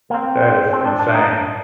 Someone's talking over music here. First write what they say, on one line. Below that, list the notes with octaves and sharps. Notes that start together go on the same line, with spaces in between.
That is insane.
A#3
C4
C4
D4
D4
D#4